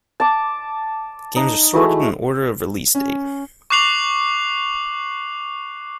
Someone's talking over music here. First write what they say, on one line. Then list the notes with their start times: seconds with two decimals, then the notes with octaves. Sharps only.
The games are sorted in order of release date.
0.20 A5 D6
1.36 D#4
1.74 G#3 A3 E4 F#4
2.95 C#4
3.70 C#6 D6 F#6 C7 F7 F#7